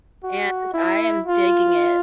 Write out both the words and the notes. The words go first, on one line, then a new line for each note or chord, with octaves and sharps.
and I am digging it;
F#4
E4
F4